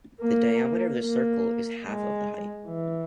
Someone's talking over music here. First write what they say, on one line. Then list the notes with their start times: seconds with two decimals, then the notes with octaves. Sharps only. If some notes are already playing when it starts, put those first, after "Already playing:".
The diameter of the circle is half of the height.
0.22 A#3
1.03 A#3
1.86 G#3
2.68 E3